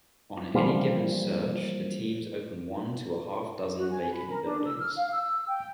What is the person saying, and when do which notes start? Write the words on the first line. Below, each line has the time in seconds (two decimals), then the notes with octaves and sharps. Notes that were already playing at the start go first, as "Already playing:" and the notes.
On any given search the teams open one to a half-dozen vacant buildings.
0.54 E3 F3 G3 A#3
3.77 F#4
3.91 G#5
4.13 B5
4.29 A#4
4.45 D4
4.64 E6
4.79 F6
4.96 F5
5.11 E6
5.47 G5